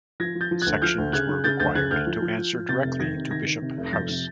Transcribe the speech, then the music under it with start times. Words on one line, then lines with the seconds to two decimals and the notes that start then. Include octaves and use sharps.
Sections were required to answer directly to Bishop House.
0.20 F3 G#6 A#6
0.35 F3
0.41 G6 A6
0.51 F3
0.62 D2 F#6 G#6
0.82 F3 F6 G6
0.98 D2
1.13 C#3 F#6 G#6
1.29 C#3
1.44 C#3 G6 A6
1.60 D2 G6 A6
1.75 C#3 F#6 G#6
1.91 D2 F6 G6
2.07 F3
2.22 F3
2.38 F3
2.53 F3
2.69 C3 G6 A6
2.84 F1
2.99 D#3 G#6 A#6
3.15 C3
3.31 D#3 G#6 A#6
3.46 D#3
3.62 C3
3.77 F1
3.86 A#6
3.93 F2 G6 A6
4.08 C3